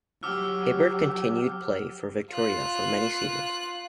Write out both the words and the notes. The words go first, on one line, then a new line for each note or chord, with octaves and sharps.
Hibbert continued play for Victoria for many seasons.
F#3 G4 D6 E6 F6
F4 F#6